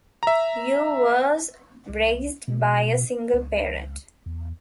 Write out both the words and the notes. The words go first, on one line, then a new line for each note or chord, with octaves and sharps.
Yoo was raised by a single parent.
E5 A#5
C2
B2
C#2
E2